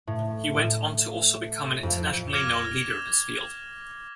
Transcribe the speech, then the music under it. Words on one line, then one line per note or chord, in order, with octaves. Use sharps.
He went on to also become an internationally known leader in his field.
A2
A2
F2
D6 F6 G#6 A#6 E7 G7